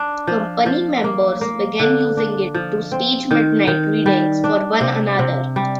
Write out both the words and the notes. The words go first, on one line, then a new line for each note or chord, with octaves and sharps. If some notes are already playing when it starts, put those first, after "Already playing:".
Company members began using it to stage "midnight" readings for one another.
Already playing: D4
F3
F3
A#3
A#3
D3
D4
F3
C4
D#3
D#3
G3
D4
C3
C3
G3